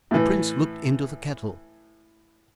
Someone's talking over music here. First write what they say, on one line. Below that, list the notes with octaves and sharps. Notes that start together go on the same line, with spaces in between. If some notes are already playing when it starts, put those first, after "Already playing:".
The prince looked into the kettle.
A2 E3